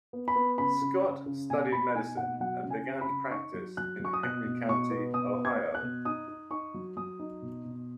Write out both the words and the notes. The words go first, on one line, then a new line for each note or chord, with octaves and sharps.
Scott studied medicine and began practice in Henry County, Ohio.
B3
B5
B3
C#3 B5
C#3
C#3
C#3
B2 G#5
B2 B5
D#4 G#5
B2 F#5
F#3 F#5
C#3
G#5
C#3
B5
C#3
D#4 C#6
F#3
F#3 F#6
F#3 C#6
D#6
B2 F#6
B2
B2 C#6
B3
B2 D#6
B3
G#6
B3
F#6
B2
D#4 D#6
D#4
D#4 C#6
F#3
F#3 D#6
D#4
B2
B2